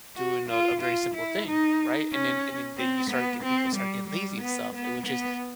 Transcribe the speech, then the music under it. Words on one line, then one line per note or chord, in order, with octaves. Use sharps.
doing a a very simple thing, right? And then and then they you start getting people start getting lazy and stuff, eh, which is
F#4
F4
F4
E4
D#4
C#4
C4
B3
C4
G3
G3
B3
B3
B3